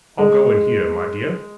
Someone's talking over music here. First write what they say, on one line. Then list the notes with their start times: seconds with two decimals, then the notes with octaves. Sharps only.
'I'll go in here, my dear.'
0.18 G#3